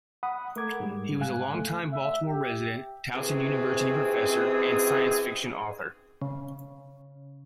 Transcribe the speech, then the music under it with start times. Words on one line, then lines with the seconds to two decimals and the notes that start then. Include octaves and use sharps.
He was a long-time Baltimore resident, Towson University professor, and science fiction author.
0.23 F#5 B5 D#6
0.56 A3 A#4 D6 G#6
0.80 G#2 G3
1.20 G#2 C#3 F5 G#5 F#6
1.54 A3
1.93 E5
2.26 G4
3.14 F#2 C3 D#3 E3 C4 G#4
6.22 C#3